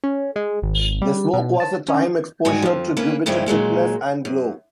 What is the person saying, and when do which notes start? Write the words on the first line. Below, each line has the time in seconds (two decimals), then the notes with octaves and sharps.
The smoke was a time exposure to give it a thickness and glow.
0.04 C#4
0.36 G#3
0.62 G#1
1.02 G3
1.34 B2
1.60 A5
1.88 C#4
2.45 G#2 G3 F#4 G#5
2.62 F2 F3
2.97 A#3 C#4 B4
3.26 G2 C#3 F3 G#3 E4 G4
3.46 A#2 F#3 G#3 A#3
4.25 F#2